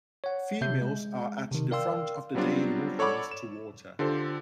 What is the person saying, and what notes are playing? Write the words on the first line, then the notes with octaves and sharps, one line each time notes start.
Females are at the front of the daily movements to water.
C#5 F#5
C3 E5 G6
G#3
C3 D#3
A#4 D5 F5 G5 C6 E6
F#3 G3 B3 C4 D4 F4
A4 C#5 D5 F#5 B5 D6
E7
D3 F4 G4 A4 C5